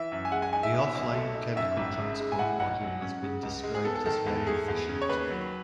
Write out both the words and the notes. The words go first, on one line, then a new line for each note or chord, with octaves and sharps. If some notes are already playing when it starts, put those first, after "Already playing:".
The offline chemical transport model has been described as "very efficient".
Already playing: E3 E5
F#2
G#5
G#3 F#5
G#5
D#4 G#5
E5
B2
B1
A3
D#4
F#2 E5
G#1
C#3
G#3
G#5
A2 F#5
B1 F#5
F#3
C#4
C#3
C#2
G#3
G#4
B3 A4
A4
D#3 A4
E2
A3 G#4
E2
C#3
C#5
D#2 B4
F#3